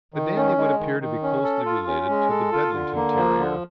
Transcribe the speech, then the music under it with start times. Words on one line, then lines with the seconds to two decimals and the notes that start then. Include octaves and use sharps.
The Dandie would appear to be closely related to the Bedlington Terrier.
0.14 D#3
0.36 C#4
0.58 G#3
0.80 D#3
1.00 D#3
1.23 C#4
1.44 A4
1.66 F4
1.87 C#4
2.09 G#3
2.30 A4
2.52 F4
2.73 D3
2.96 A#3
3.16 F3
3.39 D3